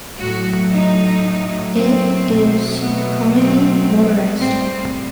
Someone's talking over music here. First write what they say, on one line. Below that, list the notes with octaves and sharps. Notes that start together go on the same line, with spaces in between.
It is commonly motorized.
A2 F#3 A3 F#4
D#4
C4
B2 F#3 A3
B3
C4
G3 C4
A2